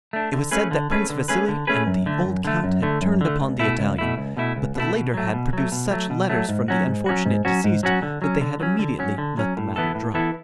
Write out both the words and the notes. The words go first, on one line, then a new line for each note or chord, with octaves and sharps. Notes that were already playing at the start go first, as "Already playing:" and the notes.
It was said that Prince Vasili and the old count had turned upon the Italian, but the latter had produced such letters from the unfortunate deceased that they had immediately let the matter drop.
A3 D4
D3
A3 C#4 G#4 B4
D3
A3 C#4 G#4 B4
D3
A3 C#4 G#4 B4
D3
A3 C#4 G#4 B4
F#2
D3 A3
F#2
D3 A3
F#2
D3 A3
F#2
D3 A3
C#2
B2 A3 E4
C#2
B2 A3 E4
C#2
B2 A3 E4
C#2
B2 A3 E4
B2
F#3 A3
B2
F#3 A3
B2
F#3 A3
B2
F#3 A3
G#2
F#3 C#4 F#4
G#2
F#3 C#4 F#4
G#2
F#3 C#4 F#4
G#2
F#3 C#4 F#4
D3
F#3 C#4
D3
F#3 C#4
D3
F#3 C#4
D3
F#3 C#4
A2
E3 B3 E4 A4
A2
E3 B3 E4 A4